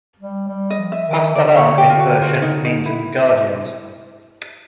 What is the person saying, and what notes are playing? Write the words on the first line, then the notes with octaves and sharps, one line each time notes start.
Pasdaran in Persian means "guardians".
G3
G3
D#5
F3
E5
D#3
D#5
D3 D5
C#5
G4
F4
F#4
F4
D#4
D#4
E4